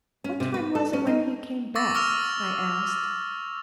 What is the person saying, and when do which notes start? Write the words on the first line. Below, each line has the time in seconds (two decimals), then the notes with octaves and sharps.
"What time was it when he came back?" I asked.
0.24 C#4
0.40 C3
0.54 B4
0.75 A4
0.93 C#4
1.07 D#4
1.75 C#6 D6 E6 A6 A#6
1.95 C#6 E6 F6 A#6 F7